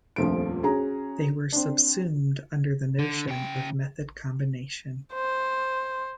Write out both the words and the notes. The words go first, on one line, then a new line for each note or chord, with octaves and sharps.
They were subsumed under the notion of method combination.
D#1 A#1 F2 F3 A3 D7
C#4 F#4 G#4 A#5
C4 D4
D3
C#3 G5
C5